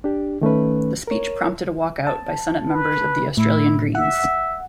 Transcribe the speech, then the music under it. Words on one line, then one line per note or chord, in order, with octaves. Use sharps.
The speech prompted a walk out by Senate members of the Australian Greens.
D4 G4
D#3 A3 C#4 B4
A#4 C#5
A5
B4
A2 E4
E5 F#5